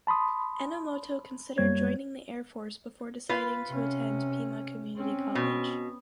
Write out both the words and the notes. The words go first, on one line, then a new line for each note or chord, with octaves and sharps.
Enomoto considered joining the Air Force before deciding to attend Pima Community College.
A5 B5 C6 D#6
F#2 G3 A#3 C#5 G#6
F4 B4
C3 C#4
C4 C#4
B2